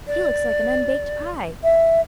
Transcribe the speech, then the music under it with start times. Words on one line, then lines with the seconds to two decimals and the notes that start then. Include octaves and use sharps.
"He looks like an unbaked pie!"
0.07 D5
1.64 E5